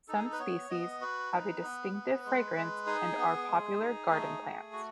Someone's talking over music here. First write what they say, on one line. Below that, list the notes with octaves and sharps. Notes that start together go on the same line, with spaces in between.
Some species have a distinctive fragrance and are popular garden plants.
D#4 A4
G#4
A4
B4
B3 C#5
B3 D#5
F#4 B4
D#4
B3
B3
G#3
G#3
D#4 G#4
B3
G#3
D#4
A3
A3
F#4